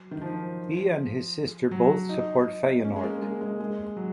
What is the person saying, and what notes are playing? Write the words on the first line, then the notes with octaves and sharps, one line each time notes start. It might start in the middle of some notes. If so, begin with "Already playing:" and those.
He and his sister both support Feyenoord.
Already playing: F#3
D#3
F3
F#3
D#4
C#4
G#3
A#3
G#3
G#3
G#3
F#3